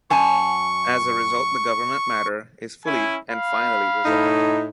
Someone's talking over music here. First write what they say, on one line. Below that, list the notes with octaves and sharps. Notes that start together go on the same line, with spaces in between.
As a result, the government matter is fully and finally resolved.
F#2 G#5 A5 C#6
C#4 E4 G#5
F5 B5
A2 D#4